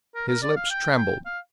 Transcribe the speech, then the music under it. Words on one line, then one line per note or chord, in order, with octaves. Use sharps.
His lips trembled.
A#4
A#4
D5
F5
G5
G5
F5